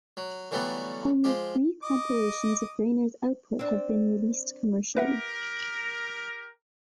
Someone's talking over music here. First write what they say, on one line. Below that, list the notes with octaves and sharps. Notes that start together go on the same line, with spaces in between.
Only three compilations of Grainer's output have been released commercially.
F#3
D3 E3 F#3 G3 A3 B3
F3 G#3 G4
D#5 D6 D#6
C4 D4
G4 A#4 B4 E5 F#5